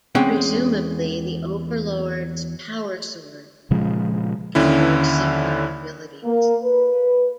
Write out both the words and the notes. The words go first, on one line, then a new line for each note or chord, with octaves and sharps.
Presumably the Overlord's Power Sword confers similar abilities.
E2 G#3 C4 C#4 F#5 G5
A#2 C#3 F3 G#3
D#2 D3 C#4 E4
A#3
B4